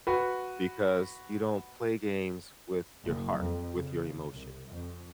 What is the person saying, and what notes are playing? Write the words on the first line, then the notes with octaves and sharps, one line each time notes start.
because you don't play games with your heart, with your emotion.
F#4 B4
F#1
F2
C#3
C2
F2